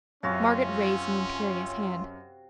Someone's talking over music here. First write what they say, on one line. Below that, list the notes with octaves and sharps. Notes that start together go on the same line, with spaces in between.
Margaret raised an imperious hand.
F#2 C3 C#4 F4 F#4 F5